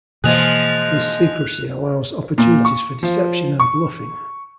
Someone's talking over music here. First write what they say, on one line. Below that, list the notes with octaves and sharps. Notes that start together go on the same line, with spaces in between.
This secrecy allows opportunities for deception and bluffing.
B2 E3 F3 G#3 A#3 G#4 F#6 F7
A#2
C#6
F3
C#6